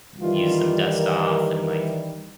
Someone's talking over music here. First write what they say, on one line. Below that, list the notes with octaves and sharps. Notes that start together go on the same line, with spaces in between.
used some Dust-Off and, like,
D#3 E3 G3 F4
A#4